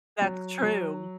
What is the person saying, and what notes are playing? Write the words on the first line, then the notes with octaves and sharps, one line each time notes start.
That's true.
F#3
F#3